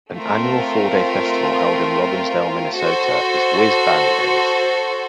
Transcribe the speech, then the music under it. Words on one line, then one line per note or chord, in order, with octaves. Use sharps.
An annual four-day festival held in Robbinsdale, Minnesota is Whiz Bang Days.
A3 C4 F4 A#4
F#4 A4 C5